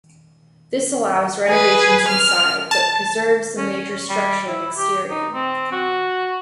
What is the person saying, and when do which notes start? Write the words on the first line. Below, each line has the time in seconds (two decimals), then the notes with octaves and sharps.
This allows renovations inside, but preserves the major structure and exterior.
1.48 G#4 B4
2.07 F6
2.71 A5
3.58 C#4
4.10 G3
4.48 E4
4.78 G4
5.11 D#4
5.34 C4
5.72 F#4